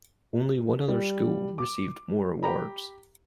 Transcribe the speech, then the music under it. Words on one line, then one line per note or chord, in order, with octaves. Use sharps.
Only one other school received more awards.
G3
D6
G4 A#5 B5